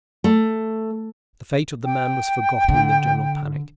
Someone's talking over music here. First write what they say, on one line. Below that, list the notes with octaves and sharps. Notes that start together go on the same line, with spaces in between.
The fate of the man was forgotten in the general panic.
A3
G5
D3